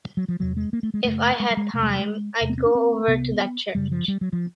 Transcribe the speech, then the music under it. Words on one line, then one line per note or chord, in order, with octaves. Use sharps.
If I had time I'd go over to that church.
F#3
F3
E2 C3 F#3
G#3
A#3
A3
G#3
F#2 C#3 A3
G#3
G3
G#3
E2 C3 A3
G#3
G3
G#3
E2 C3
B3
C4
D4
C4
C2 C3 B3
F#2 C#3 G3
F3
G3
F#3
F3